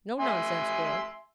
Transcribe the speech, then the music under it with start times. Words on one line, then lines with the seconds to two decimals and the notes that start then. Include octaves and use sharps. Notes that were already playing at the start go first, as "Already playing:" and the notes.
No nonsense, girl!
0.20 E5 G#5 C6